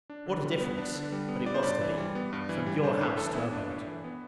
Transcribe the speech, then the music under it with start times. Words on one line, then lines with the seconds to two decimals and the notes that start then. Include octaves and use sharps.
What a difference--but it was to be--from your house to a boat!
0.10 D4
0.26 D3
0.44 G3
0.61 B3
0.78 D4
0.95 D3
1.12 G3
1.29 B3
1.46 B3 D5
1.54 C5
1.63 G2 D5
1.81 E3
1.98 G3
2.15 B3
2.33 G2
2.49 E3
2.66 G3
2.83 D4 C5
3.01 A2 B4
3.17 E3 A4
3.35 B3 E4
3.52 D4
3.69 A2
3.86 E3
4.04 B3